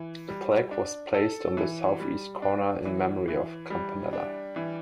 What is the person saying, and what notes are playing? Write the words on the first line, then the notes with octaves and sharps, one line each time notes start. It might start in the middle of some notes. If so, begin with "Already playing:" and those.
A plaque was placed on the southeast corner in memory of Campanella.
Already playing: E3
G3
D4
A4
E3
G3
D4
E3
E3
G3
D4
E3